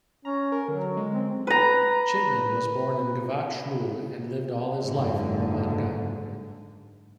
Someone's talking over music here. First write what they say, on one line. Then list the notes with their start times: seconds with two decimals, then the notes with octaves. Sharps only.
Chitman was born in Giv'at Shmuel and lived all his life in Ramat Gan.
0.25 C#4 A#5
0.52 A#4
0.68 D3 F#3
0.97 G#3
1.12 C4
1.47 B4 A#5
4.84 F#1 G#2 D3